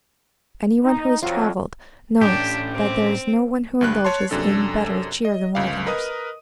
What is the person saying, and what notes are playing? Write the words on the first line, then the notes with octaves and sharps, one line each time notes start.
Any one who has travelled knows that there is no one who indulges in better cheer than wagoners.
D#4
F2 F#3 F4
A2 C#4 D4 G4
C4
D2 G2 F#6
C#5 A5 C6
F#2 C3 D4 A4
D#5
G1 C#2 F5
A#4 B4 D#5 D#6